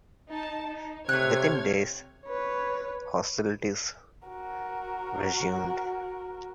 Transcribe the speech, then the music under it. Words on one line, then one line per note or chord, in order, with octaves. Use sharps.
Within days, hostilities resumed.
D#4 A5
D#4
C3 A3 C#5 F6 F#6 G#6
B4 C#5
F#4 A#4